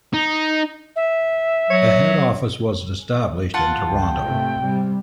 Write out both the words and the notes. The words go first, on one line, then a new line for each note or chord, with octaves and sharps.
A head office was established in Toronto.
D#4
E5
F#3 C#5
F4 F#5 A5
C#2 G5
G#2 C3 A3
C3 G3